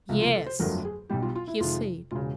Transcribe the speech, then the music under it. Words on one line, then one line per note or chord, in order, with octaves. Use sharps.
"Yes," he said.
C#2 C3 F3 A3
F4
A4
C5
G1 F2 D3 F#3 A3 A#4
G#4
B1 B2 G3 G4
F4
F4
E4
F2 C3 D#3 G#3 F4
E1 C#3 F4